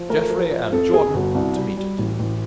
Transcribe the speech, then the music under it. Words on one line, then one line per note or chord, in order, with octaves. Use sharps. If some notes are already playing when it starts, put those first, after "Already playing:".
Geoffrey and Jordan, to meet it.
Already playing: F3
A3 A#4
F3
F3
F2 A4
F2 G#4
G1 F#4
C2
G3
G3
A1
A1